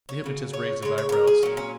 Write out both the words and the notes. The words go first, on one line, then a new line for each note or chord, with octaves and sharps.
The hypnotist raised his eyebrows.
C#5
C#3 F#3
C#5
C#3 G#3 C#5
C#5
C#5
A#4
G#4
A#2 F#3 C#4
C#4